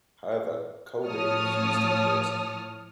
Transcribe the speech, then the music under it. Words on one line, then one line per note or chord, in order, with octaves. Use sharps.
However, Kolbe refused to endorse him.
A2 F3 C#5 A5 D#6 F6